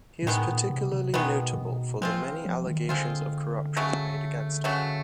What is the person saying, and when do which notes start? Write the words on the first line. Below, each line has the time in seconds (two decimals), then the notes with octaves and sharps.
He is particularly notable for the many allegations of corruption made against him.
0.23 A#2
0.26 A2 D#3 G#3 B3
0.48 A#2
0.70 C3
0.92 C3
1.14 B2 D#3 G#3 B3
1.54 A#2
1.57 B2
2.01 F3 G#3 C4 F4
2.45 F3
2.67 D#3
2.89 D3 G#3 C4 F4
3.77 C#3 F#3 A3
4.64 C#3 F#3 A3